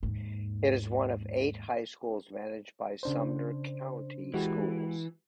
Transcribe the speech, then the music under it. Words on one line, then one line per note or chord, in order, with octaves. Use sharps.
It is one of eight high schools managed by Sumner County Schools.
D#2 G#2
C#3 D4 C5
E3 G#3 F#4 G4